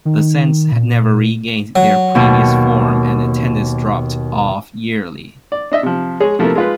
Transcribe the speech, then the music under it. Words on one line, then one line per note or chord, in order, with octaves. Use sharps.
The Cents never regained their previous form and attendance dropped off yearly.
D#3
A#2
F#3
D#2 B2
D5
D4 D#5 E5
C3 F3
G#3 G#4 C#5
C3 F3 A3 A#3 E4 A#4
G#3 F4 B4